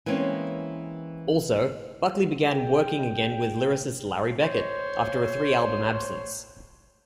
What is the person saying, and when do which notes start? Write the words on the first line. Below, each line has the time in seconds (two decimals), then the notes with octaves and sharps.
Also, Buckley began working again with lyricist Larry Beckett, after a three-album absence.
0.06 E3 G#3 A#3 C4 C#4
2.50 G#4 G5
4.42 C5 C#5